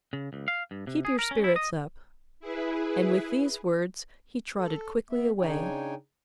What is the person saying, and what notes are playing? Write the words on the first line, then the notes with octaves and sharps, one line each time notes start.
Keep your spirits up.' And with these words he trotted quickly away.
C#3
C#2
F5
G2
C3
G#4
A#4
C#4
E4
D#5
E4 G#4 B4
A4
B3 E5
C#3 D4 D#4 C#5 G5 G#5